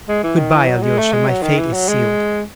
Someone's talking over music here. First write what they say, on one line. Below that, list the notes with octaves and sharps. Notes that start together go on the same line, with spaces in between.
Good-by, Alyosha, my fate is sealed.
G#3
E3
D#3
E3
F#3
G#3
A3
G#3
F#3
D#3
E3
F#3
G#3